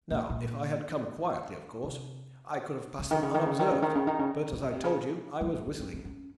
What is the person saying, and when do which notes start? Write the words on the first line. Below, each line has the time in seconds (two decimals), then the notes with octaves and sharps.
Now, if I had come quietly, of course, I could have passed them unobserved, but as I told you I was whistling.
0.11 A#2
0.30 A#2
1.84 C3
2.99 C#3
3.11 D#3
3.23 C#3
3.34 D#3
3.46 C#3
3.59 D#3
3.71 C#3
3.82 D#3
3.95 C#3
4.07 D#3
4.19 C#3
4.52 D#3
4.63 C#3
4.73 C3
4.84 C#3
5.41 F#3
5.55 F#3
5.66 F#3
5.79 C4
5.93 C4
6.05 C#4